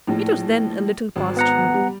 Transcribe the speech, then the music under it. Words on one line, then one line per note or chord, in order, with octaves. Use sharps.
It was then a little past noon.
A#1 A2
G#1
B3 F#5 A#5
G3